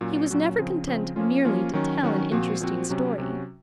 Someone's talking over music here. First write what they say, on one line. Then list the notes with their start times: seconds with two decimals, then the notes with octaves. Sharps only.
He was never content merely to tell an interesting story.
0.01 A#2 F#3 C#4 F#4
0.30 A#2 F#3 C#4 F#4
0.58 C#3 F3 C4
0.87 C#3 F3 C4
1.16 F3 A#3 C#4 F4
1.45 F3 A#3 C#4 F4
1.73 D#3 F#3 C#4 F#4
2.03 D#3 F#3 C#4 F#4
2.32 A#2 F3 C4 F#4
2.60 A#2 F3 C4 F#4
2.89 C3 F#3 C#4 F#4
3.18 C3 F#3 C#4 F#4